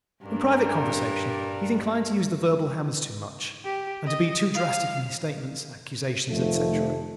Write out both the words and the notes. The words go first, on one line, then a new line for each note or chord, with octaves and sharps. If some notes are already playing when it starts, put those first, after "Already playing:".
In private conversation he is inclined to use the verbal hammers too much and to be too drastic in his statements, accusations, etc.
G2 D4 A#4
G4
D#5
F5
F1 D#3 F3 A3